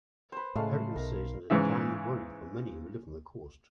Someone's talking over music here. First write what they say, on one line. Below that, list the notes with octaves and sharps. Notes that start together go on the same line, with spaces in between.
Hurricane season is a time of worry for many who live on the coast.
B4 C5
A2 C#3 G#3 A3 F5
B1 A#4
G#2 C#3 E3 E5